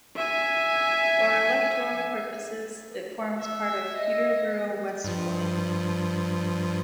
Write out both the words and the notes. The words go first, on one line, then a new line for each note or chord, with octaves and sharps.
For electoral purposes it forms part of Peterborough West ward.
E5 G#5
E5
D#5
G2 F3